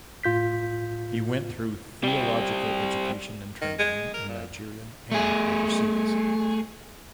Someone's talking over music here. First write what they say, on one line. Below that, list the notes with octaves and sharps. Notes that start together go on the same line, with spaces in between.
He went through theological education and training in Nigeria and overseas.
A2 F4 G6 B6
G3 C4
D#3
G#3
A#4
A#2
A3 G#4